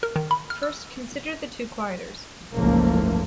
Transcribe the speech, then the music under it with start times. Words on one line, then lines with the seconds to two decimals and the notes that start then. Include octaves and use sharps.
First, consider the two quieters.
0.03 A#4
0.16 D#3
0.31 B5
0.50 F6
0.63 E6
2.54 F#1 C#2 G#2 F3 A3 A#3